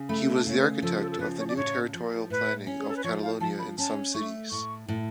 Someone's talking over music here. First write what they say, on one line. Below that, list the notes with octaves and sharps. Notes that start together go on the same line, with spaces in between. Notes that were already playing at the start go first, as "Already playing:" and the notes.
He was the architect of the new territorial planning of Catalonia and some cities.
Already playing: C#3
A3 B5
A5
C#3 C#5
B4
F3 A4
A4
A4
C#3 B4
C#5
D5
A2 C#5
F3
A2 B4
C#4
G#4
A4
B4
F3 C#5
F5
F3 A5
B5
C#4 A5
A3 C#6
A2 C#6
A2